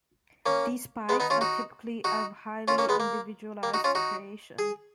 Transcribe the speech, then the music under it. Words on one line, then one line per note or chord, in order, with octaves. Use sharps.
These bikes are typically a highly individualized creation.
A#3 C#4
G#3 B3
B3 D#4
C#4 F4
D#4 F#4
D#4 F#4
C#4 F4
A#3 C#4
G#3 B3
A#3
A#3
D#4 F#4
C#4 F4
D#4 F#4
G#4